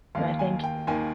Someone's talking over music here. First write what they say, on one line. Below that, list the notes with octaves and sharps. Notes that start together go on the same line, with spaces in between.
know, I think
D#2 D#3 A#3 F5
G#5
G5
D#2 D#3 A#3 G#5